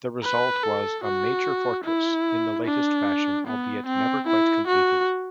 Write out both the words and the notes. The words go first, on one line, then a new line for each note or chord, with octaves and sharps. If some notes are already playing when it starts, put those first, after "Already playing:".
The result was a "major fortress in the latest fashion", albeit never quite completed.
B4
A4
F#4
E4
D4
B3
C4
E4
F#4